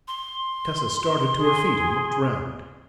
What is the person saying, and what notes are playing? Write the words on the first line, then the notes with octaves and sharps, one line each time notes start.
Tessa started to her feet and looked round.
C6
G#4